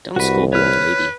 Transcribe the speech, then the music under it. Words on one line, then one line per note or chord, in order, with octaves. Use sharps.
Don't scold the old lady.
C2 F#4 B4
B4 C#5 F6